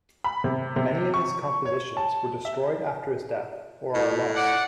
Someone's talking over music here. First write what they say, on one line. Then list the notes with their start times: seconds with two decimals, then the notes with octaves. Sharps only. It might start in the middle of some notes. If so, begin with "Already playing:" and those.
Many of his compositions were destroyed after his death, or are lost.
0.24 B5
0.44 C3
0.76 C3
1.14 C#6
1.65 C#5
1.97 A5
2.45 E5
3.95 A2
4.35 D5 F#5